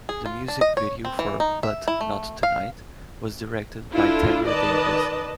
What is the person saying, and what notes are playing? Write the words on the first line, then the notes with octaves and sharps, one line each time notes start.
The music video for "But Not Tonight" was directed by Tamra Davis.
G#4
F4
D4
D#5
C#5
C4
E3
D#4
E5
E4
A3
F5
D4 E4 F4 A4
D#3 B4 D5 D#5 A5